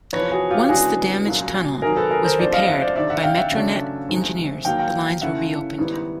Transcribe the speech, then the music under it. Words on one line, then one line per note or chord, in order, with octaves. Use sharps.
Once the damaged tunnel was repaired by Metronet engineers, the lines were reopened.
E2 C3 F3 B4 C#5
F#4 G#4
F4 G4
C#3 E3 G#3 B3 D4 F#4 G#4
C2 A#2 F#3 A#3 C#4
C3 D#3 F#3 G#4 A#4
A4 B4
G#4 A#4
A#4 C5
C2 C3 F3 A3 D4 C5 D5
D#5 F5
E5 F#5
C5 D5
D2 C3 D#3 D5 E5
E5 F#5
F5 G5
E5 F#5
C#3 F#3 A3 D4
F2 C3 D#3 G#3
D#2 D#3 F#3 A#3 F5 G5
F5 G5
C#3 E3 A3 C#4 E4 E5 F#5
G#2 D#3 G3 B3 E4